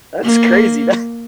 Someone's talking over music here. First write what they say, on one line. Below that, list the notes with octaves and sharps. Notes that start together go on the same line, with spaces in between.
that's crazy. That
A#3